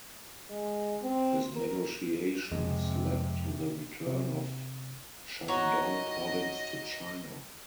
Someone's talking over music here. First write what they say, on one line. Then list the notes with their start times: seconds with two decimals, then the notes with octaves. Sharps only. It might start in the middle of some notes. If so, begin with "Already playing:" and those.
His negotiations led to the return of Shandong Province to China.
0.50 G#3
1.02 C4
1.55 A#4
2.52 F2 C3 G#3
4.07 C3
5.48 D#4 F#4 C#5 D#5